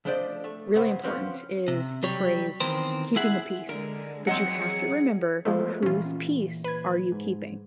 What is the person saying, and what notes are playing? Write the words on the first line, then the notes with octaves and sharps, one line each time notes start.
really important is the phrase "keeping the peace." But you have to remember, whose peace are you keeping?
F3 A3 D4 C5 D5 D#5
A3
G2 C#3 B3 C5
F3 C4 C#4 B4 F5
C3
F#3 G3 C#5
D#3 E3 B3 C4 A#4 C5
E4 G#4 E5 F#5
D3 G#3 A#4
E3 F#3 C4 G#4 D#5 F#5 C#7
C#7
F3 G#3 A3 B3 A4 C5
A#2 E3 C#4 F4
B4 G#6
G#2